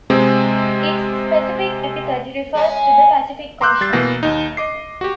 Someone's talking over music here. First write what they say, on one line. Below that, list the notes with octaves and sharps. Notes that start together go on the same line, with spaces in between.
Its specific epithet refers to the Pacific Ocean.
C3 G#3 C4
G#3 C#4
A#5 C6 D6 E6 F#6 G6
G3 A6 C7
B2 E3 A#3 F#5 A#6
D#2 D#4
D#5 D6 C7
F#4 G4